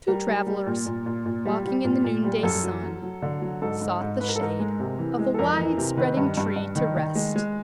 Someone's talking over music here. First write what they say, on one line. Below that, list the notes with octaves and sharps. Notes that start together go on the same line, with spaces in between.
Two Travellers, walking in the noonday sun, sought the shade of a widespreading tree to rest.
G3 A#4
G3
G3
A#2
A#2
A#2
A#2
G3
G3
A#2
A#2
G3
F#2 A4
F#3
F#3
F#3
D3
F#3
G#2 A4
G#2
G#2
G#2 B4
A#4
A4
G#2 A#4
G#3
C3
E3
G#3
A4
F2 A#4
E3
C3
D#3 B4
G2
G2
G2
D#3
D#3
G#3
G#3